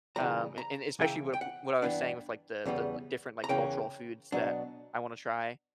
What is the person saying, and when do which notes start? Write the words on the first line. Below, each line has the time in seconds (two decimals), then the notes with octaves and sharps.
um, and and especially wi w what I was saying with, like, the the li different, like, cultural foods that I wanna try.
0.16 C#3 E3 G3 A#5
0.58 A#5
0.99 C#3 E3 A#3 E4 G5
1.34 G5
1.41 F#5
1.82 G2 E3 B3 D4
2.66 E2 C#3 G3 B3
3.44 A#5
3.49 E2 C#3 E3 A#3 C#4 G5
4.32 B2 F#3 B3 D4